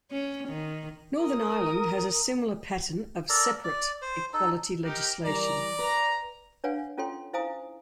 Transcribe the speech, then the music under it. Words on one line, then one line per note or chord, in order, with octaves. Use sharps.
Northern Ireland has a similar pattern of 'separate' equality legislation.
C#4
D#3
A#4 D#6
A4 A#4 D5 A#5
D5
C5
D#4 A4
D#4 G4 A#4
E3 G3 A#4 D5 A#5
B4 A#5
D4 B4 C#5 F5 F#5 G#5
C#4 F4 A4 C#5 G5 C6
E4 C5 F5 G#5 A#5 D#6